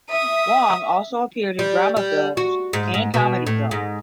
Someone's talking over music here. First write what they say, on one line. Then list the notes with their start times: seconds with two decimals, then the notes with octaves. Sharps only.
Yung also appeared in drama films and comedy films.
0.10 E5 D#6
1.59 G3
1.97 G3
2.37 F#4
2.73 G#2
2.94 G#2
3.14 B2
3.47 A2
3.71 G#2